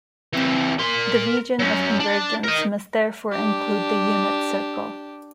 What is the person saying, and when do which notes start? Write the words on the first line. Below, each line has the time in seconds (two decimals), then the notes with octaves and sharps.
The region of convergence must therefore include the unit circle.
0.33 E3 C4
0.79 A#4 C6
1.59 F#3 C#4
2.00 D4
2.44 A#4 D#5
3.32 D4 G4